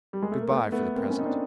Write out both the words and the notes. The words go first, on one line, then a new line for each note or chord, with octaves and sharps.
Good-bye for the present!
G3
G#3
A3
A#3
A3 B3
A3 B3
A#3 C4
B3 C#4
D#4
C4 D4